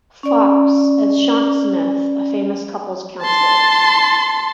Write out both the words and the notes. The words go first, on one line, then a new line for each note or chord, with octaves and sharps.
Fox as Shante Smith, a famous couple's counsellor.
C#4 D5
A5 C6